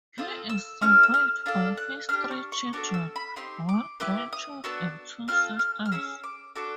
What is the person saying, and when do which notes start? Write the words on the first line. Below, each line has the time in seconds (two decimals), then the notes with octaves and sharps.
He is survived by his three children, one grandchild, and two sisters.
0.18 C4 F4 A4 D#6
0.49 E6
0.82 C#4 E4 A4 F6
1.03 E6
1.14 F6
1.46 D4 F4 A4
1.77 F#6
2.09 D4 G4 F6
2.31 C#6
2.52 C#6
2.73 B3 D4 F#4 A4 D6
2.94 E6
3.16 B5
3.36 C4 D#4 G4 C6
3.69 D6
4.00 B3 E4 G4 D6
4.33 D#6
4.64 B3 D4 F#4 E6
5.28 C4 F4 A4 F6
5.59 F6
5.85 F6
5.92 C#4 E4 G#4 E6
6.24 D6
6.55 D4 F#4 A4 D6